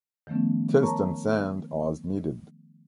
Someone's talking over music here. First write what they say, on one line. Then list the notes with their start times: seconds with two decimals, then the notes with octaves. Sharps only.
Test and sand as needed.
0.27 D#3 F3 A3 B3 C#4
0.82 A#4 C#5 A5 A#5 C#6